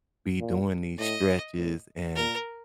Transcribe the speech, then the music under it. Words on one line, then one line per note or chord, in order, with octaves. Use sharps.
be doing these stretches and
A#2
A2 D#5
A2
A#2 A#4